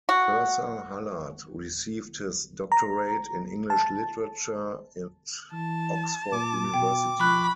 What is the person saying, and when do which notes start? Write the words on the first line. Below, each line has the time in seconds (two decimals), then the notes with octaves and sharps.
Purser-Hallard received his doctorate in English literature at Oxford University.
0.09 F#4
2.72 A#5
3.70 A5
5.52 E3 A5
6.32 A#2 D6
6.74 B2 G5
7.20 F3 B5 C#6 F#6